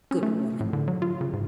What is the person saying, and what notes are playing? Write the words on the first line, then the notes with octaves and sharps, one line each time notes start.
Good woman!
C#4
A3
A2
D3
F#3
F4
C#3
G#2